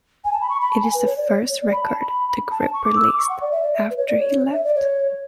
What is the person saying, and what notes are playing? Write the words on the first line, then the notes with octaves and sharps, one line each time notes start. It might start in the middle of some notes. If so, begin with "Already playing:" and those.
It is the first record the group released after he left.
G#5
A5
B5
C#6
B5
A5
G#5
B4
C#5
D5
C#5
C#5
D5
B5
A5
B5
A5
A5
C#6
D6
E6
D6
C#6
F#5
D5
E5
D5
E5
B4
C#5
D5
C#5
E5
D5
C#5